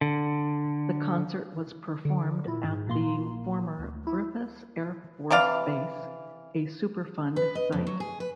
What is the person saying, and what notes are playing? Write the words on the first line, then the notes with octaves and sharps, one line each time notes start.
The concert was performed at the former Griffiss Air Force Base, a Superfund site.
D3
D3
A#2 E4
G#2
A#1 A#2 A#3 C6
D2
E4
C3 E3 D5 F5
B4
D#5
F2
F#3
G#4
B4